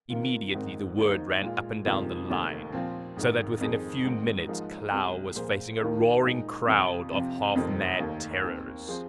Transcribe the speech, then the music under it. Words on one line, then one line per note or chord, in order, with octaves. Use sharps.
Immediately the word ran up and down the line, so that within a few minutes Klow was facing a roaring crowd of half-mad terrors.
C3 D#3 A#3 F4
G#1 G#2 D#3 C4 D#4
D#2 D#3 A#3 D#4 C5
A#2 G#3 F4
F2 C3 D#3 G#3 F4
F1 D#2 D#3
A#2 F3 C4
G#1 G#2 D#3
F2 D#3 C4 G#4
G#1 G#2 D#3 C4
G#2 F3 A#3 D#4 G#4
C2 C3 G#3
A#2 F3 A#3 G#4 C5
D#2 D#3 A#3 D#4 A#4
A#2 G#3 D#4
F2 C3 F3
C3 F3 C4
F1 F2 C3 D#3 C4
F1 D#2 D#3 A#3
D#2 D#3 C4
F3 C4 G#4 C5